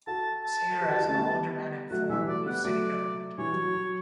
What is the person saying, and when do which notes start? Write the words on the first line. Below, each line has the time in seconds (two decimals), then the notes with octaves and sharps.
Sayer has an aldermanic form of city government.
0.07 F#4 A4 A5
0.44 A5
0.81 G4 B4
0.90 F#4 A4
0.99 E4 G4
1.09 A3 C#4
1.18 G3 B3
1.91 F#3 A3 F#5
2.09 E3 G3 E5
2.28 F#3 A3 D5
2.46 G3 B3 F#5
2.64 F#3 A3 D5
3.38 E3 G3 C#5
3.51 F#3
3.63 F#3
3.74 F#3